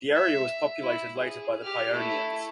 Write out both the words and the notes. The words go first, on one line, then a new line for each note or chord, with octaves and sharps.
The area was populated later by the Paionians.
E5
E4
G#4
G4 F6
A3 E4